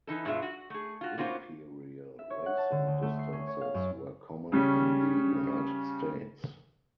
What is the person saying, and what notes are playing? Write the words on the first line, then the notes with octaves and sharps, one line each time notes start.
Imperial racing distances were common in the United States.
E3 D#4 A4
G2 B2 G#3 F4 E5
F#4
A3 G#4
F4 F#4
A#3 C#4 F4 F#4 B4 C5
E5
C#5
F#5
A5
D3
D2
A3
C7
C#4
C#5
F5
F#2
C#3 G3 C#4